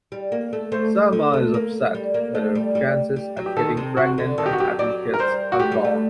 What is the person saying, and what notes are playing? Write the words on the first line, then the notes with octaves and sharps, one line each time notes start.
Selma is upset that her chances at getting pregnant and having kids are gone.
G3
A#3
A3
A3 C5
D3
A3
A#3
G3
A#3
A3
G3
G3
G3
F#3
G4
D#3 A4
C3
C3 F#4
D3
D#3 A4
G4
F#4
F#3 G4
F#3 D5
A#4
G3 C5
F#4
A3 G4
G3
A3